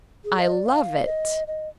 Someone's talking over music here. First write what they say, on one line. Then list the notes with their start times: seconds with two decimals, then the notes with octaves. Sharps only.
"I love it."
0.25 G#4
0.39 D#5
0.52 D5
0.66 F5
1.06 D#5
1.47 D#5